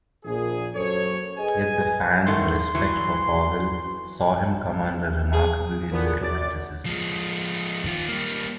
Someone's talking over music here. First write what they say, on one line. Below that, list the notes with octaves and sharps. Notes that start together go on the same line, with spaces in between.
Yet the fans' respect for Powell saw him come under remarkably little criticism.
A#1 G#4
F#2 A4 C5 C#5
G#4 B4 D#5 G#5
A2 D#3 A3 C6
E3 F#3
G#4
D2 A#2 B3
F#2 D5
F3 G#3
D#3 F4
G3 A#3